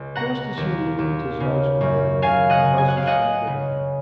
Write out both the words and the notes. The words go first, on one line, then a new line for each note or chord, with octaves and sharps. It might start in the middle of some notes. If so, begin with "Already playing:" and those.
Just as he removed his last garment, the buzzer sounded again.
Already playing: C#2
B2 F#5 A#5
D#2
D#2
C#3
F#2
C#3 F5 G#5
D#5 F#5
C#3
G#5
F#5
F5
C#2 D#5 F#5
C#3